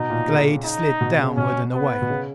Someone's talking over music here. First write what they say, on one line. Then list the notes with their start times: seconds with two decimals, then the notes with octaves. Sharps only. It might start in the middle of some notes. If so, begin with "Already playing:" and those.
The glade slid downward and away.
Already playing: B2 D#4
0.10 A#2
0.28 C#3
0.64 D#4
1.01 B2
1.19 C#3
1.36 B2 C#4
1.73 B3
2.02 B2
2.10 C#3